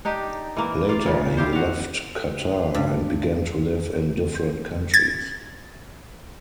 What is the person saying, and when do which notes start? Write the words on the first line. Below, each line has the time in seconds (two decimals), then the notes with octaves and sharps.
Later he left Qatar and began to live in different countries.
0.05 D4 D#4 G4
0.57 E3 A#3
0.89 F4 D5
1.06 A#2 C#3
1.37 E4 F4 G4 C5
1.53 F#4 F5
2.74 G2
4.94 G#6 A6